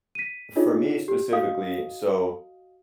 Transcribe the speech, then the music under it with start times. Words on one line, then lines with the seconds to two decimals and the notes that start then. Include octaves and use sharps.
for me specifically, so
0.15 B6 D#7
0.56 D4 D#4 F4 G#4 C#5 D#5
1.08 G4
1.32 F#4 D#5 F5 D#6